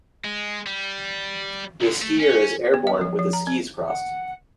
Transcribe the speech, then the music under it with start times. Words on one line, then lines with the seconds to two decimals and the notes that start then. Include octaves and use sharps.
A skier is airborne with his skis crossed.
0.24 G#3
0.66 G3
1.81 B1 D3
2.02 A3
2.20 C#4
2.74 B3
2.87 D#5
3.01 F3
3.19 F3
3.33 A#5
3.47 C4
3.86 F#5